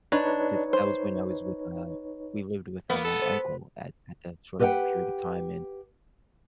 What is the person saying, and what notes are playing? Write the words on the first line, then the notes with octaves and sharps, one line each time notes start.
'cause that was when I was with, uh we lived with, uh, my uncle at at that short period of time, and,
D4 D#4 B4 C#5
C5
A#3 B3
A4
C5
G4 B4 D#5 E5 F#5 G5